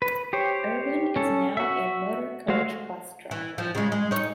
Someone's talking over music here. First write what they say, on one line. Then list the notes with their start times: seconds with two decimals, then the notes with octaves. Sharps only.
Irwin is now a motor coach bus driver.
0.02 B4
0.33 G4 C5 C#5
1.16 C#4 A4
1.57 F#4 E5
2.48 G#3 A3 F#4 C5 F5
3.31 E3
3.58 F3
3.75 C#3 G#3
3.92 G#3
4.11 D#4 C#5